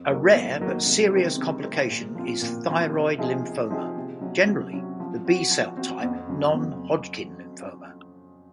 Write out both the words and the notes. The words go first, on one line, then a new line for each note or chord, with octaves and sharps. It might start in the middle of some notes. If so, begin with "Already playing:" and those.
A rare but serious complication is thyroid lymphoma, generally the B-cell type, non-Hodgkin lymphoma.
Already playing: F2
D#3 F#3 A#3
F2
D#3 F#3 A#3
C3
D#3 G#3 C4
C3
D#3 G#3 C4
A#2
F3 C4 F4
A#2
F3 C4 F4
C3
F3 C4 D#4 G#4
C3
F3 C4 D#4 G#4
C3
F#3 C#4
C3
F#3 C#4
F3
C4 F#4
F3
C4 F#4
F2
C#3 F#3
F2